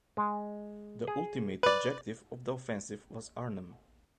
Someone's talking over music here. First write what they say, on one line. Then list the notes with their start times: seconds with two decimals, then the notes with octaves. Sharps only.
The ultimate objective of the offensive was Arnhem.
0.17 G#3
1.07 G#4
1.63 B4 D5